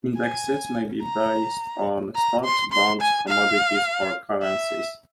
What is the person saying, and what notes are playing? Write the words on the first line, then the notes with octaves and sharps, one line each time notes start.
Indexes may be based on stocks, bonds, commodities, or currencies.
G#5
A#5
A#5
C6
C6
G#5
F5
E5